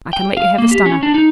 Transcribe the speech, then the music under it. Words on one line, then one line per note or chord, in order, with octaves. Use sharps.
I can let you have a stunner.'
G5
F5
A#3
G4
C#4
D4
D#4